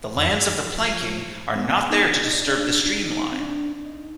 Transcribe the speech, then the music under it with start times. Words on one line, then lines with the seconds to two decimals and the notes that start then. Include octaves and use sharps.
The lands of the planking are not there to disturb the stream line.
0.17 F2
0.33 G2
0.48 F3
1.56 B3
1.90 D#4
2.01 D4
2.24 D#4
2.32 D4
2.39 D#4
2.47 D4
2.85 D4
2.93 D#4
3.32 C4
3.40 D4
3.85 D#4